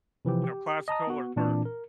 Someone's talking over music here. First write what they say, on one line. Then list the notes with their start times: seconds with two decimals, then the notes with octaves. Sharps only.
you know, classical or or
0.25 C3 E3 F3 G4
0.44 G4
0.88 D#5 A5 A#5 D#6
1.07 B3 F#4
1.36 A#2 E3 C4 D4
1.65 A#4